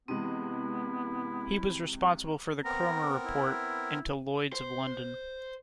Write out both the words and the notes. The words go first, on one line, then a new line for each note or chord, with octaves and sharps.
He was responsible for the Cromer Report into Lloyd's of London.
C3 E3 G#3 B3 C4 E4
B3 C4 A#4 A#5
E4
C5